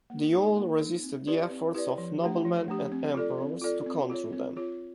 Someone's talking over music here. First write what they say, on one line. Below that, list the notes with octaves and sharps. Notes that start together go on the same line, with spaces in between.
They all resisted the efforts of noblemen and emperors to control them.
A#3
D#4 G#4
A#3
D#4 G#4
C4
E4 G4 B4 D5
C4
E4 G4 B4 D5
F3
A3 D4 G4
F3
A3 D4 G4
C4
F4 A4 D5
C4
F4 A4 D5
C4
F4 G#4 C#5
C4
F4 G#4 C#5